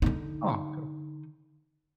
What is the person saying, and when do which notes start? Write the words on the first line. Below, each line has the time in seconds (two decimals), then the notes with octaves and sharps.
Oh, coo
0.02 D3 D#4